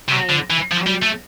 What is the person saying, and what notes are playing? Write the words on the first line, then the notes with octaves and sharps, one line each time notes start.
I I'm
C3
D3
E3
F3
G3
A3